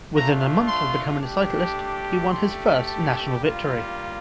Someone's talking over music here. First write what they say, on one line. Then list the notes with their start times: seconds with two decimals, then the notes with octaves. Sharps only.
Within a month of becoming a cyclist, he won his first national victory.
0.13 A3 D4 F4 A#5
0.67 C6
1.21 A3 D4 G4
1.76 D6
2.29 A3 D4 G4 C6
2.84 A5
3.38 G3 A#3 F4